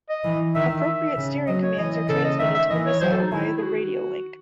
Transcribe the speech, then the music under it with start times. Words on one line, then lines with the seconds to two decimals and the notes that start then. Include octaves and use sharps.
Appropriate steering commands are transmitted to the missile via the radio link.
0.09 D#5
0.24 E3
0.55 D#3 E5
0.79 E5
1.17 C#3
1.47 F#3 D#5
1.63 C#5
1.78 E3 D#5
1.94 D#5
2.09 C#3 A4
2.24 D#5
2.39 D#3 E5
2.55 E5
2.70 E3 D#5
2.86 C#5
3.01 F#3 C5
3.12 A4
3.21 D#4
3.32 D#3 E4
3.58 G#4
3.63 F#4